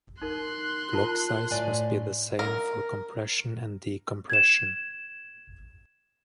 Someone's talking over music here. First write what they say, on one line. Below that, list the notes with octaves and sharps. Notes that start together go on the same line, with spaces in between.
Block size must be the same for compression and decompression.
D#4 A#4 C6 F#6
F4 A#4 A5
A2 D5 G#5
A#4
G#6 E7